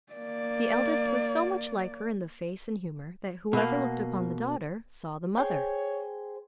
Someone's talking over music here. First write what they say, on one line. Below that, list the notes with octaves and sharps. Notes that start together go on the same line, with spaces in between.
The eldest was so much like her in the face and humour, that whoever looked upon the daughter saw the mother.
A#3 D5
B2 A#3
G#4 C5 C#5 G5